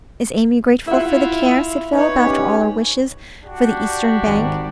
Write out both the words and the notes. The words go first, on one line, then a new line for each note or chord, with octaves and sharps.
'Is Amy grateful for the care,' said Philip, 'after all her wishes for the eastern bank?'
E4 F4 E5 F#5
D#4 B4 C#5
C#4 G4
D4 F#4 G4
G#1